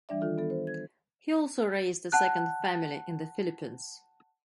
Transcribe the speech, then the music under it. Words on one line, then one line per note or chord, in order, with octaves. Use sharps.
He also raised a second family in the Philippines.
E3 G3 D4 D5 E5
D#3 F4 A4
B3 A4
C5
G#6
F#5 A5 F#6